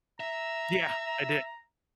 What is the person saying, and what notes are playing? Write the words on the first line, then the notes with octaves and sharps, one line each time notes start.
Yeah. I did.
E5 A#5